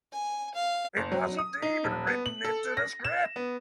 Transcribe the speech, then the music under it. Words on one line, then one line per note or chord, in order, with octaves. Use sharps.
It wasn't even written into the scrip.
G#5
F5
F#1
F#3
D#6
D#4
D#1
B3
F#7
A4
A#6
E7
B3